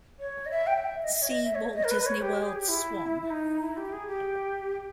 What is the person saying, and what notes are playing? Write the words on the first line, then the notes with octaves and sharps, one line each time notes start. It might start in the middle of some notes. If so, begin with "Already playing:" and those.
See Walt Disney World Swan.
C#5
D#5
E5
G5
G5
E5
D#5
E5
C#5
D#5
E5
C#5
D#5
A#4
B4
B4
C#5
G4
G#4
G4
E4
E4
D#4
E4
G4
G#4
G4